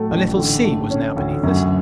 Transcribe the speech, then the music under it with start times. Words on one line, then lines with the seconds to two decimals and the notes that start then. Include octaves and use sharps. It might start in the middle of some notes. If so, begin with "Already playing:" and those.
A little sea was now beneath us.
Already playing: A2 F#3 A3
0.11 A1
0.37 D3
0.65 A3
0.91 C#4
1.17 D2
1.43 F#2